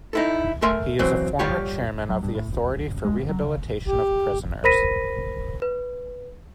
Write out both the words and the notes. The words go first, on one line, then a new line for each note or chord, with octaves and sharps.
He is a former Chairman of the Authority for Rehabilitation of Prisoners.
D#4 E4 A4
A3 A#4 E5 G#5 C6
E3 F#3 C4
G3 F4 G4 C#5
F#3
G2
A2
D#1
B1
F#1
G#3
A1
F#3
C#3
G4
A#4 C5 B5 A#6 B6 D#7
B4